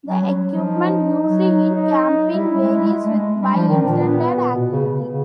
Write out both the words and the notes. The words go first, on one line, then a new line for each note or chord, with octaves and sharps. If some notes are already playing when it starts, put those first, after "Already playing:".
The equipment used in camping varies with by intended activity.
F#3 C#4
G3
F#3
F3
D#4
F#3
D#4
G3 E4
G#3
G3
G#3
A3
G#3
G3 D4
F3
D#3
A#2
B3
B2 B3
C#3
C#3
C#3